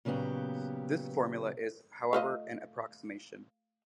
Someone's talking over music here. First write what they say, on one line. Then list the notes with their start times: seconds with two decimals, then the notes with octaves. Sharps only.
This formula is however an approximation.
0.05 A#2 C#3 F#3 B3 G4
2.13 A3 F4 D#5